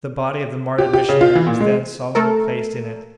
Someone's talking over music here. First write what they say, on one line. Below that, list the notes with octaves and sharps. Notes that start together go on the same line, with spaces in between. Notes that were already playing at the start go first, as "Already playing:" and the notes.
The body of the martyred missionary was then solemnly placed in it.
G4
G4
C#3
F4
E3
A#2
G#3
A3 A4 A#4